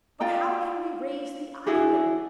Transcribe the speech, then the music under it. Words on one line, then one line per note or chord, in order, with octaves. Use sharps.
"But how can we raise the island?"
F4 D5 G5 A#5
D4 E4 F#4 G#4